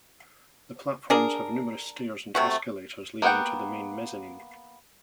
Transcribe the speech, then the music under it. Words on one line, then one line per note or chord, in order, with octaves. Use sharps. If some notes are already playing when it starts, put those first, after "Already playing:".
The platforms have numerous stairs and escalators leading to the main mezzanine.
D4 G#4 A#4
C3 A3 F#4
A#3 B3 A#4 F#5 G5